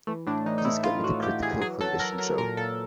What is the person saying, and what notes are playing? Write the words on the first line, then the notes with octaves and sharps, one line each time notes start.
Please get me the Critical Condition show.
E3 A3
A2 D4
E3 D#4
D#4
A2 E4
A2 F4
A2 F#4
E3 G4
E3 G#4
F#3 G#4
F#3 A4
F#3 A#4
F#3 A#4
A#2 A#4
A#2 A4